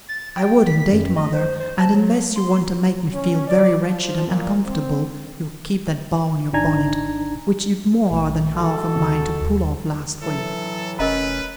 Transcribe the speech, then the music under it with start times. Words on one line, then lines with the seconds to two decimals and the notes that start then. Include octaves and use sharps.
'I would, indeed, mother, and unless you want to make me feel very wretched and uncomfortable, you'll keep that bow on your bonnet, which you'd more than half a mind to pull off last week.
0.08 A6
0.37 G5
0.67 B6
0.92 F#2
1.16 D#5
1.34 C5
1.60 C5
1.79 A5
1.95 F#3
2.36 C6
3.13 C#4
3.47 D5
3.86 F3
4.26 A#2
4.66 C4
6.53 G#1 D4 D#4 G#5 A#5 G#6
8.11 A#1
8.55 G#3 F#4 A4
8.95 D2 D3 C4
9.41 D#2
10.22 A2 E3 F#3 A4
10.99 F1 C#4 A#4 B4 D#5 A#5